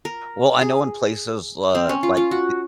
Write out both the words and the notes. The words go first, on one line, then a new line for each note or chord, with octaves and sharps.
Well, I know in places, uh, like d
A#4
G#4
C4
C#4
F4
F4
F#4